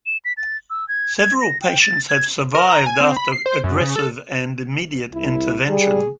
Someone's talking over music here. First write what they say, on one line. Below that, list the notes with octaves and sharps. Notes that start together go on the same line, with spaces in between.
Several patients have survived after aggressive and immediate intervention.
E7
B6
A6
E6
G#6
G#6
A#6
G5
A6
G#6
A#4
A#5
G#5
C4
B5
C7
C5
F#2
C#3
A4
C2 E4
G3 G#4